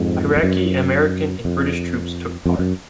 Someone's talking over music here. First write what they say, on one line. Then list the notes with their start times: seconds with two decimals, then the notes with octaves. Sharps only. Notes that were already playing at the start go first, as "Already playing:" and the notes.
Iraqi, American and British troops took part.
Already playing: F2 G#2
0.36 F2
0.43 F#2
1.45 F2
2.46 F2
2.59 F#2